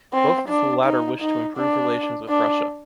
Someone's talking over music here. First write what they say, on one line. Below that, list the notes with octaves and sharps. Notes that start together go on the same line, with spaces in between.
Both of the latter wish to improve relations with Russia.
C4
D4
D#4
D#4
D4
D4